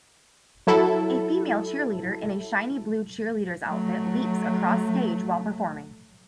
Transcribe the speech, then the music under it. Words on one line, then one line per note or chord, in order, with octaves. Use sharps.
A female cheerleader in a shiney blue cheerleaders outfit leaps across stage while performing.
F#3 E4 A4
F#3 A3